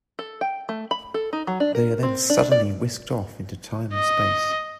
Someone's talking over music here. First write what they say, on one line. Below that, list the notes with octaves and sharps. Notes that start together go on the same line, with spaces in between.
They are then suddenly whisked off into time and space.
A4
G5
A3
B5
A4
D#4
F#3
D4
A#4
C4
D4
D5
D#5